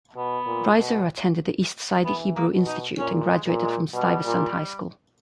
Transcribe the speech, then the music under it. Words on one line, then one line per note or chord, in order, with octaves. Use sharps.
Reiser attended the East Side Hebrew Institute and graduated from Stuyvesant High School.
B2 B3
A#2
B2
E3 B3
A#3
B2
D#4
A#2 C#4
G#3
A#2
G#3
B2 G3
A#2